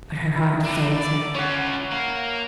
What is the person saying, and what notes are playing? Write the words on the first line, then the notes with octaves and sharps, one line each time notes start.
But her heart failed her.
E4
D4 D#4
D5
C#4 F4 C#5 F#5
A#4 F5